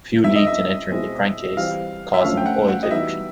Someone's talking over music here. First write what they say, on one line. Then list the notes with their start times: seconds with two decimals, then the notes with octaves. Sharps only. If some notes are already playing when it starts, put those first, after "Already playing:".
Fuel leaked and entered the crankcase, causing oil dilution.
0.23 F2 D3 G3 B3 D#4 E5
0.36 D#5
0.47 E5
0.90 B2 G#3 C4 E4
1.57 E3 G3 C4 F5
2.14 E5
2.24 D3 F3 A3 C#4 F5
2.37 G5
2.46 F#5
2.69 F#5
2.83 D#5
2.91 E3 G3 B3 D#4 F#4 E5